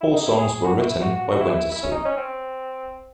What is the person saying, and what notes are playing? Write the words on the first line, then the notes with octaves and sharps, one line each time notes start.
All songs were written by Wintersleep.
E4
D#4
E4
G#4
G#4
F#4
E4
E4
F#4
F#4
F#4
E4
E4
E4
C#4
D#4
C#4
C4